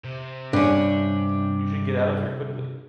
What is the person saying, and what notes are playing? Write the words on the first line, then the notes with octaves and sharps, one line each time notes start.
You should get out of here quickly.
C3
G2 C#4 D4